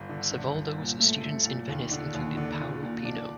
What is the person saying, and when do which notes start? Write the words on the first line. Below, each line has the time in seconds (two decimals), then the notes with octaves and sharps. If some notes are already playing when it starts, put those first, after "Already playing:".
Savoldo's students in Venice included Paolo Pino.
Already playing: G1
0.09 D3
0.31 D3
0.54 G1
0.78 A#2
1.00 A3
1.23 A3
1.45 A#2
1.68 D#2
1.91 D3
2.14 D#2
2.37 D3
2.60 A#2
2.83 A#2
3.05 D4